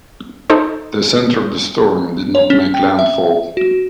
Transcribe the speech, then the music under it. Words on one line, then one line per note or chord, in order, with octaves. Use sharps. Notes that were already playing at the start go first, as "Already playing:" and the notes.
The center of the storm did not make landfall.
D#4 A4 C5
C#5
C#4
G5
E5
F#4